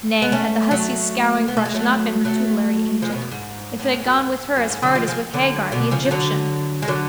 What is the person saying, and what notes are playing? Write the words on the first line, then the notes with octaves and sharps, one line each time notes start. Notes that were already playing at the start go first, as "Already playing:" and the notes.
Nay, had the hussy's scouringbrush not been her tutelary angel, it had gone with her as hard as with Hagar, the Egyptian!
B3
A3 C#4
F#3 A3
B3
A3
G#3
F#3 A3
F#3 A3
F3 G#3
B2
F#2
G#2
A2
G#2
F#2
G#2
F#2
G#2
D3 F#3
F3 G#3
F3 G#3
D3 F#3
B2 D3
C#3 F3
F3
D3 F#3
G#3
D3 F#3